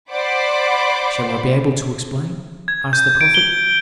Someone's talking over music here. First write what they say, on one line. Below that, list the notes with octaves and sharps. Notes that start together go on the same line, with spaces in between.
"Shall I be able to explain?" asked the prophet.
C5 D5 F#5 B5 C6 D6
G#6
G6
D7
G7